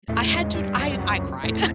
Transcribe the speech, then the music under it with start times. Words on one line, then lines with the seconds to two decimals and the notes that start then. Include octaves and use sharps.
I had to I I cried.
0.08 E2 A2 C#3 A3
0.31 G#2 G#3
0.53 G2 G3
0.76 C#2 F#2 C3 F#3
0.91 G3
0.98 F#2 F#3
1.43 E2 A2 C3 A3